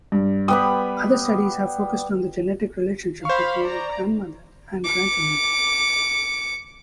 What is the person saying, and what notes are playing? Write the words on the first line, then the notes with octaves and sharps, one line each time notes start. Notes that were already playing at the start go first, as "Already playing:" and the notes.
Other studies have focused on the genetic relationship between grandmothers and grandchildren.
G2
G3 B3 B5 D#6
C5 F5 B5 C#6
D5 A#5
D6 C#7